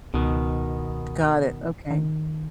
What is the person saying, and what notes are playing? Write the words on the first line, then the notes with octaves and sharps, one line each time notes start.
Got it, okay.
C#2 B2 D#3
D#3